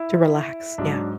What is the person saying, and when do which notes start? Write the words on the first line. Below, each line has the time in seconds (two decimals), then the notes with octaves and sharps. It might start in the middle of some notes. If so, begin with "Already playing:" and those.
To relax, yeah.
Already playing: E4
0.78 G#2 F#3 D4